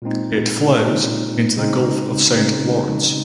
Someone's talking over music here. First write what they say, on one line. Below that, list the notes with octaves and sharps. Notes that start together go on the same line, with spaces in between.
It flows into the Gulf of Saint Lawrence.
A#2 G#3 C4 D#4
A#2 G#3 C4 D#4
C#3 G#3 C4 D#4
C#3 G#3 C4 D#4